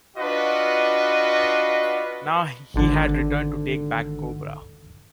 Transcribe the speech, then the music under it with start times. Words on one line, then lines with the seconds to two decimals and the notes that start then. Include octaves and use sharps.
Now, he had returned to take back Cobra.
0.16 D4 F4 F#4 B4 D#5
2.74 G#1 D3